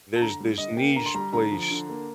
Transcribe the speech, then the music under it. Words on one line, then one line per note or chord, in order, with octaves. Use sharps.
there's this niche place
A5
D3 A#5
G3
D3 D#5
A#3 G5
D3 A#5
C6
G3 A#5
D3 A#5
F3
D3
A#3